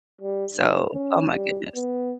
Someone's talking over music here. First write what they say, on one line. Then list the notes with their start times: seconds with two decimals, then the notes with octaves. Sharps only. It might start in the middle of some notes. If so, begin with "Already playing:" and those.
So Oh my goodness.
0.21 G3
0.53 G2
0.93 C#4
1.31 G3
1.75 B3